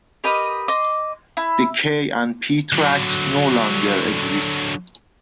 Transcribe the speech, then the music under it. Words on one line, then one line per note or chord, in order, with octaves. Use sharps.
The K and P tracks no longer exist.
G4 A#4 B4 D#5
D#5 C6 D6
E4
D3 F#3